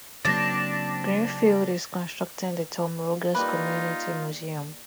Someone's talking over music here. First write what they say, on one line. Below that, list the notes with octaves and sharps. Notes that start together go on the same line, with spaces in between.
Greenfield is constructing the Tom Rogers Community Museum.
C#3 F#3 A#3 C4 D4 D5 A6 A#6
G3 A#3 D#4 F4 B4